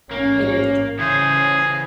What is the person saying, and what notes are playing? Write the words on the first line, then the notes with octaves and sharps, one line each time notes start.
It is.
A1 G#2 A#3 C#4
C#3 E3 G#4 C5